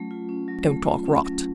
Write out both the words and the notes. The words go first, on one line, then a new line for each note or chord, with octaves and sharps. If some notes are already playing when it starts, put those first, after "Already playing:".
"Don't talk rot!"
Already playing: F#3 A3 C#4 F4
F4
C#4
F#3
A3
F4
C#4
F#3